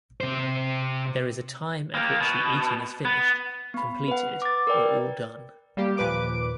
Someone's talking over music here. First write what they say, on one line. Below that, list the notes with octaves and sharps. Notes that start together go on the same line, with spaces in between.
There is a time at which the eating is finished, completed, or all done.
C3 C5
A#3 G4
B2
B3
B3 B5
B4 F#5
D6 A6
A#4 B4 D5 G5
G3 A#3 G4
D#2 A#2 F3 B4 D6 D7